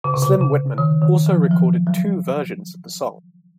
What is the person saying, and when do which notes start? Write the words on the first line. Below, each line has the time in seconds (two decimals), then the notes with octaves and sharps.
Slim Whitman also recorded two versions of the song.
0.04 C#3
0.14 C3
0.22 C#3
0.41 C#3
0.78 D#3
1.02 D#3
1.26 F3
1.44 F#3
1.51 F3
1.87 F#3